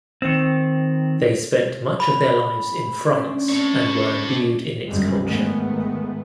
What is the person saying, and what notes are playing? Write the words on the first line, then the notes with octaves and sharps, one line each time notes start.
They spent much of their lives in France and were imbued in its culture.
D#3 C4
B5
A3 C#4 D4 D5 C6
C4 A4 C#5 D5 C#6
D#5 D6
G1 F#2 G3 G#3
G#2 D#3 G#3 A3 B3